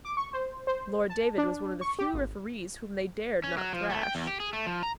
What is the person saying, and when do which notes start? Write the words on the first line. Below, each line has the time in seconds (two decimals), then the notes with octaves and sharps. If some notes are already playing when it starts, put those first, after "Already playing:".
Lord David was one of the few referees whom they dared not thrash.
0.05 D6
0.17 C#6
0.33 C5
0.67 C5
1.09 A5
1.38 D4
1.81 C#6
1.99 G4
2.14 G#1
3.44 C#4
3.58 F#3
3.73 F3
3.90 A3
4.03 G5
4.15 E2
4.27 G4
4.40 G#4
4.53 A3
4.66 F3
4.83 A#5